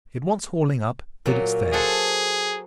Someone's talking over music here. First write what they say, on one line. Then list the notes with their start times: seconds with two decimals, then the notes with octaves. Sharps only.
It wants hauling up, but it's there.
1.26 A#2 F#3
1.73 G#4 A4 C5 F#5